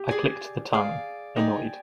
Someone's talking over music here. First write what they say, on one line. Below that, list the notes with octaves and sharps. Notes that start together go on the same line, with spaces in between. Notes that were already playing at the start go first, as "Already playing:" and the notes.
I clicked the tongue, annoyed.
Already playing: G4
G#4 D5 G#5
G#4 D5 F5
D#4 G4 D5 G#5